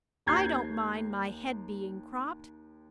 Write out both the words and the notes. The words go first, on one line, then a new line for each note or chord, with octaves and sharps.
I don't mind my head being cropped.
D#2 A#5 G6 G#6 C7